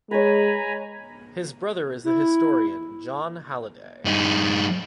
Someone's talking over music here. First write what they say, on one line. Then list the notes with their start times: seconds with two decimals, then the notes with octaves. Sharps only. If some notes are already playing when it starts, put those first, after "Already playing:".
His brother is the historian Jon Halliday.
0.11 G#3 B4 C#5 G#5 A#5 B5
2.04 E4
4.05 G2 D#4